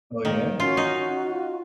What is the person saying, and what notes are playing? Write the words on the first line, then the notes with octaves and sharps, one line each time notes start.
Oh, yeah?
D#3 A#3
C#4 F4 F#4
D#4
F4